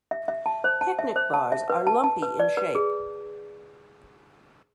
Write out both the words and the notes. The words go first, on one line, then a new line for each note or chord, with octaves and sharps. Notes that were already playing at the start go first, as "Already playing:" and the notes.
Picnic bars are lumpy in shape.
E5
E5
A5
C5
A5
E5
C5
A5
E5
B4
A5
A5
B4
D5
B4
G#4